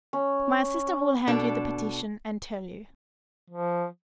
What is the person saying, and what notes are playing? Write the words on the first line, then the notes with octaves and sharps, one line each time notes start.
"My assistant will hand you the petition and tell you."
C#4
B2 D4 A4
F3